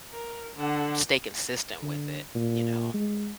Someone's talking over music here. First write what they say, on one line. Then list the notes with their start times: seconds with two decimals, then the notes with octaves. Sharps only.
stay consistent with it, you know.
0.13 A#4
0.56 D3 F#5
1.82 D3
2.35 A#2
2.94 G#3